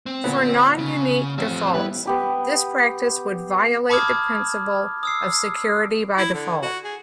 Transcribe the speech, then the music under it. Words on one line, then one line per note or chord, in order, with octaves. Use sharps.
For non-unique defaults, this practice would violate the principle of 'security by default'.
C4
A#2 D3 B3
C#3
A1 F3 C4
G3 B3 E4 B4
B3 G4 B5
A5 B5 D6 D#6 F6 G#6
D#6 E6 C7
E4
D3
F#4
G#4